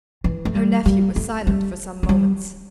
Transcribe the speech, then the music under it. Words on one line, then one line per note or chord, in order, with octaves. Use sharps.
Her nephew was silent for some moments.
E3
A3
G3
G3
A3
G3
A3
G3